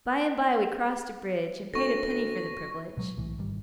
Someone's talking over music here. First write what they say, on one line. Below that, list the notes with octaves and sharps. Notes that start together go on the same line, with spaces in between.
By and by we crossed a bridge, and paid a penny for the privilege.
D2 C#6 A#6
B2 F#3 G#3
B1 A2 E3
G#1 D#3 G3